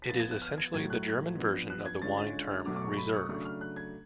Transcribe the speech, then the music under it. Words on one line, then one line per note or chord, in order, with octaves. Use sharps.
It is essentially the German version of the wine term Reserve.
B6
F3 B3 F4 A6
G#6
F#6
F6
G#6
A2 F#3 A3 G#6
F#6
F3 B3 D4
F#6
G#6
D3 G#3 C#4 F4 A6
A6
B2 F#3 A3 D6
D6
C#6
B5
C#6
C#3 F#3 A3 D4 C#6
F6
F#6
G#6